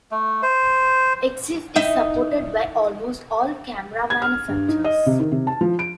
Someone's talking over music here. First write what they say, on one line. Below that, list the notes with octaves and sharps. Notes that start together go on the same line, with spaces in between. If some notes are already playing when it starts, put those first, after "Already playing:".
Exif is supported by almost all camera manufacturers.
A3
C5
D#4 E4 E5
G#6
F6
G2
D#4
D#5
C3
D#3
C3
A5
F3
D7